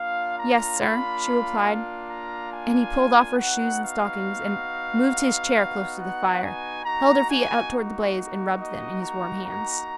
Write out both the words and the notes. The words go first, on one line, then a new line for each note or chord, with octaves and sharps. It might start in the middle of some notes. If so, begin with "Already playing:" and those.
"Yes sir," she replied, and he pulled off her shoes and stockings, and moving his chair closer to the fire, held her feet out toward the blaze, and rubbed them in his warm hands.
Already playing: A#3 D4 F4 F5
A#5
B5
A#5
G#5
B3 D#4 F#4 F#5
F5
F#5
G#5
A#3 D#4 F#4 A#5
G#5
D#5
A#5
A#5